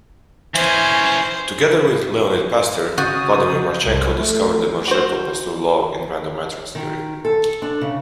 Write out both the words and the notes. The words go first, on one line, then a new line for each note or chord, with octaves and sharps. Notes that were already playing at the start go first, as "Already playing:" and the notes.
Together with Leonid Pastur, Vladimir Marchenko discovered the Marchenko-Pastur law in random matrix theory.
E3 C#4 C5
C#3 F#4 D#6 F#6 G6 A6
C2
A3
F#4 C5
D#3
A4
D4
C#3